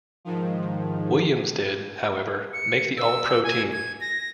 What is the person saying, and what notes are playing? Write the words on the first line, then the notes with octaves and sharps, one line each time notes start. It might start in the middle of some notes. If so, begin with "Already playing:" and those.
Williams did, however, make the All-Pro team.
G#2 D#3 F3
C#7
E6
G#5
G#6
A#6